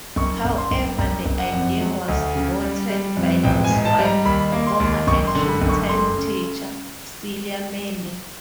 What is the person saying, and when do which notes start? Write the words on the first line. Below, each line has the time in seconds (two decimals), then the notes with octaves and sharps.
However the idea was vetoed by his wife, former actress turned teacher, Celia Melia.
0.16 F#1 C#6
0.45 F#1
0.58 C6
0.71 F#1
0.99 F#1 A#5
1.26 F#1
1.39 F#5
1.53 F2
1.81 F#3
2.08 D2
2.35 C#3
2.62 G3
2.90 G3
3.17 F2
3.43 A1 G5
3.64 G#5
3.71 G#2
3.85 A5
3.99 G3
4.05 A#5
4.25 D#2 B5
4.52 A#3
4.67 C6
4.80 D#2
5.07 F#1 C#6
5.27 C6
5.35 D3
5.48 B5
5.62 F#1
5.69 C#6
5.89 A3 C6
6.17 C#3